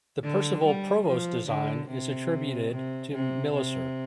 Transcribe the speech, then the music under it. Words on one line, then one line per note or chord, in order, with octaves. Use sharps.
The Percival Provost design is attributed to Millicer.
D3
G3
F3
D3
C3
C3
C3
C3